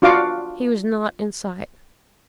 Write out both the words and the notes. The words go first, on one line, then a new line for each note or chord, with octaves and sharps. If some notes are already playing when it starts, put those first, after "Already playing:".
He was not in sight.
D4 F4 F#4 F5 D6